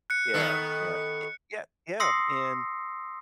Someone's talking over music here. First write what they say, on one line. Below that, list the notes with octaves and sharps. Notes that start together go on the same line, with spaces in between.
Yeah, yeah, it yeah, yeah, and,
F#6 C#7
D#3 B3 A4
C6 D#6 E6 A#6 C7 C#7